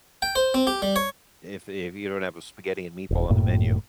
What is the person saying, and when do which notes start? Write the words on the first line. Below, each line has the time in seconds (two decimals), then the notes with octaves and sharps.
If if you don't have a spaghetti and meatball on the menu.
0.22 G5
0.36 C5
0.54 C4
0.67 G4
0.82 G3
0.96 C#5
3.11 D#1
3.29 G1 F#2 A2 A#3